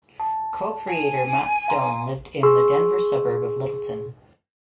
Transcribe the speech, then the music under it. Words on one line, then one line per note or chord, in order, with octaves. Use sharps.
Co-creator Matt Stone lived in the Denver suburb of Littleton.
A5
G#5
F5 A#5 C6
G#4 C6 C#6 E6